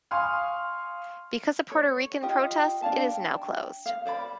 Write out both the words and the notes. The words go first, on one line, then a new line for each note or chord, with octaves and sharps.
Because of Puerto Rican protests, it is now closed.
F5 G#5 C6 C#6 D#6 F6
C#5
F4 G4 D#5 G5
D4 D5 F5 A5
G5
F5
C5 D5 F5 B5